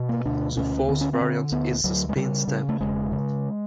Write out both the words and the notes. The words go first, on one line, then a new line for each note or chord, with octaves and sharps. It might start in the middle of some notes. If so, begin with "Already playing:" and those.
The fourth variant is the Spin Stamp.
Already playing: B2
A#3
D2 D4
D2 C#4
D3 C4
C#4
C4
D3
D2 B3
D2 F#3
G#3
C#3 G3
C#3
A3
E1 G#3
C#3